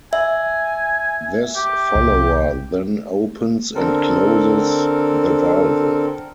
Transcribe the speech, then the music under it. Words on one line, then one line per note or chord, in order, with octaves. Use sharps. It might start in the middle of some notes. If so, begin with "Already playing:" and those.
This follower then opens and closes the valve.
E5 G#5
G4
C2
D3 C4 A4 A#4